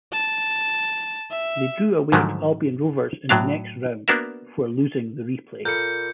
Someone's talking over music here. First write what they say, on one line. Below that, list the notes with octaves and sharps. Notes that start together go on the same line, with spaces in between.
They drew away to Albion Rovers in the next round, before losing the replay.
A5
E5
G#2 D3 D#3 F3 F#3 A3
A2 F#3 D4 F5
A#3 B3 D4 F#4 A#4 E5
A#2 A4 A#4 B5 G6 C#7